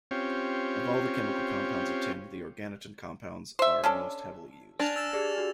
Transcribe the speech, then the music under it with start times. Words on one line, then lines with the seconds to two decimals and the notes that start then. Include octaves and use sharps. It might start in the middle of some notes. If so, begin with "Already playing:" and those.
Of all the chemical compounds of tin, the organotin compounds are most heavily used.
0.11 C4 C#4 F4 G4 C#5
3.59 C5 E5
3.84 C#4 D4 A4
4.80 D4 G#5 A5 F6 A#6 D7 F7
4.96 E6 A6 E7
5.13 G4 G#4 D5
5.38 F#4 G4